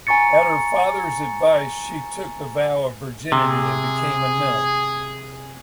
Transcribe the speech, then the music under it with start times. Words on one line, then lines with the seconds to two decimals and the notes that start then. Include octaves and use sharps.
At her father's advice she took the vow of virginity and became a nun.
0.07 G#5 A#5 C#6 A6 C#7
3.32 C3 G#4